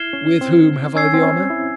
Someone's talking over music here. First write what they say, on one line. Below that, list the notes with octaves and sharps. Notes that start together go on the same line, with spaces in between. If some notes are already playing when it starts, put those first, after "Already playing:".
"With whom have I the honour?"
Already playing: E4 F6 G#6 C7 E7 G7
C#4
C4
C#4 G#5 E6 G#6 C7
C4
C#4
E4